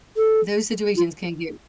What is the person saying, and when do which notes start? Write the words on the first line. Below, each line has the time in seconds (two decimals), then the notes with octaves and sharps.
Those situations can get
0.17 A4
0.97 F4